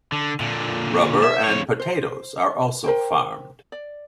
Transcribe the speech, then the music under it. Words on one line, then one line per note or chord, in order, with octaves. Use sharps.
Rubber and potatoes are also farmed.
D3
A#2 D3
E5
F2 C#5
C5
A#4 C5 G5
D5